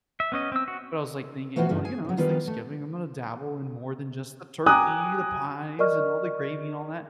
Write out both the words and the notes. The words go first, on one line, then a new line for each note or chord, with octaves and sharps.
but, I was, like, thinking, "Well, you know, it's Thanksgiving, I'm gonna dabble in more than just the turkey, the pies, and all the gravy, and all that.
E5
B3 C#4 D#5
C4 E6
F#4
E3 A3 B3 C4 F4 F#4
G2 C#3 E3 A3
G#4 G#5
C#3 F#3
D#3 G3 B3 D4 F4 G4
A3
G5 G#5 A#5 D6 D#6 F#6
A#4 D5 D#5 C#6 F6